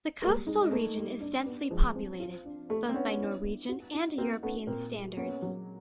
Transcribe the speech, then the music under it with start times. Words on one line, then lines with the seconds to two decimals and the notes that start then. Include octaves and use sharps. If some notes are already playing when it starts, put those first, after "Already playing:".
The coastal region is densely populated both by Norwegian and European standards.
0.22 G3 G#3 A#3
0.47 G#3 D#4
0.61 G#3
0.71 A3 A#3
0.97 G3
1.21 D4
1.46 B3
1.71 F3 G#3
1.95 C4
2.20 F4
2.45 D4
2.69 A3 G4
2.89 C4
2.94 B3 C#4 D4
3.19 E4
3.44 B3
3.69 F#4
3.93 D#4
4.18 A#3 C4 F#4
4.42 A3 B3 C#4
4.67 A#2 A#3 C4
4.93 G#3
5.17 A#3 B3 C#4
5.42 F#3